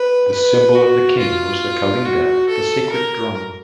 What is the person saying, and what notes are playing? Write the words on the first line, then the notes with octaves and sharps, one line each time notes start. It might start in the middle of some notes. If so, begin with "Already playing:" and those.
The symbol of the King was the Kalinga, the sacred drum.
Already playing: B4
B4
F#4
F4
F#4
A4
A#4